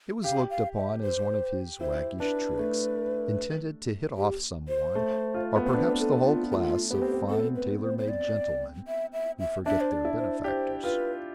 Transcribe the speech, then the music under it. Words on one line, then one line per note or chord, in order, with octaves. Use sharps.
It was looked upon as one of his waggish tricks, intended to hit off some one, or perhaps the whole class of fine tailor-made gentlemen who forget their benefactors.
G4 F5
F5
E5
C5
E4 C5
D4 B4
A3
G4
C5
A3
F4
B3
C4 C5
D4 B4
A4
F4
A3 F4 G4
B3 G4
C4
B3
C4 A4
B4
C5
C5
D5
E5
E5
E5
D4 E5
C5
D5
E4
C5
G4 C5 D5
F4 B4